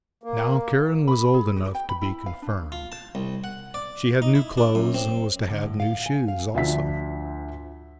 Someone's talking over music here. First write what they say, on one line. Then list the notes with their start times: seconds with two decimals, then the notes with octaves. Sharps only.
Now Karen was old enough to be confirmed; she had new clothes and was to have new shoes also.
0.23 A#3
1.08 B5
1.34 G#4
1.57 F#4
1.75 G5
1.89 B5
2.02 E4
2.26 F5
2.42 D4
2.72 F4
2.92 A5
3.15 C2
3.44 F#5
3.74 D5
4.22 D#4
4.35 E4
4.57 D4
4.75 F#2
4.94 C4
5.50 D3
5.66 A2
5.80 F5
6.06 G#5
6.28 F5
6.54 D2 F3 D4 E5 B6